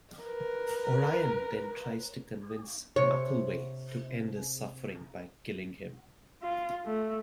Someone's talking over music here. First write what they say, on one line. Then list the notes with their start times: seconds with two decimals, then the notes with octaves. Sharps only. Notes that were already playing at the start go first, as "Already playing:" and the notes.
O'Ryan then tries to convince Mackelway to end his suffering by killing him.
0.23 A#4 B4
2.96 C3 C#5
6.42 F4
6.86 A3